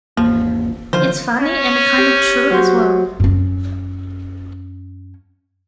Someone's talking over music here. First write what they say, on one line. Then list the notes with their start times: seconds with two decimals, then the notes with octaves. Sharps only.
It's funny, and kinda true as well!
0.17 G#1 E2 F3 A#3
0.93 D3 D#3 F3 F4 C5
1.40 C#4
1.98 G4
2.50 F#3 F#4 C5
3.20 F#2 C#4